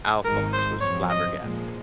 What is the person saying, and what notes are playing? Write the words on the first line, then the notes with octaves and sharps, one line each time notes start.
Alfons was flabbergasted.
G#1 G#2 D#3 G#3 D#4 A#4
C5
F#2 F3 C4 C#5
D#5
A#2 F3 G#3